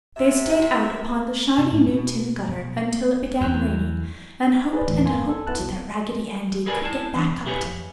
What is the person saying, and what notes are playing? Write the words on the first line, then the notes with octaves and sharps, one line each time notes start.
They stayed out upon the shiny new tin gutter until it began raining and hoped and hoped that Raggedy Andy could get back up to them.
C3 E5
C3
A2
B2
B2
E2
G#4 B4 C5 D5
D2 A2 E3
G#1 F#2 A#3 B3 G#5 C6
A4
B3 E4 A5 F#6
C2 F#3
G#4 A#4 B4 D5 G#5
E4 A5
E3 C4 D4
B1
E4 G4 G#4 B4 C#5
F2